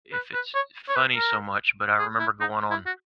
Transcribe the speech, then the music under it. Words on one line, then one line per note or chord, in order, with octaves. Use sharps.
if it's funny so much, but I remember going on
B4
B4
C#5
C#5
B4
A#4
G#4
E4
D#4
E4
F#4